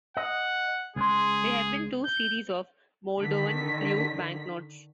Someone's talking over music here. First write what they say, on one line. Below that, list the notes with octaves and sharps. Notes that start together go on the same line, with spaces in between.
There have been two series of Moldovan leu banknotes.
D#5 F#5
C#2 G#3 G#4 C6
G6
D3 D#3 B6